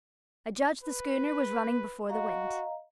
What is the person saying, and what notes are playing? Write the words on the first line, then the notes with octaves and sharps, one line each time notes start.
I judged the schooner was running before the wind.
B4
F#4 D#5 F5 A#5